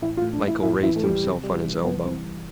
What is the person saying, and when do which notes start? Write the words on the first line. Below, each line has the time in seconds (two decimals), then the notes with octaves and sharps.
Michael raised himself on his elbow.
0.02 A1 E4
0.17 F4
0.22 A2
0.33 D4
0.43 A1
0.48 E4
0.63 A1 E4
0.83 E3 E4
0.96 A3
1.03 E3 G3
1.24 C3
1.44 G3
1.64 E3
1.84 C2 B3
2.05 E3 C4
2.25 C2